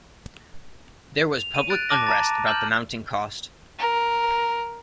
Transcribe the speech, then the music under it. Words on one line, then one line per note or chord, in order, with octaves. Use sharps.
There was public unrest about the mounting cost.
F7
D#7
F#6 A6 D7
A5 D6 A#6
A5 A#5 A6
F6 G6 E7 F#7
A#4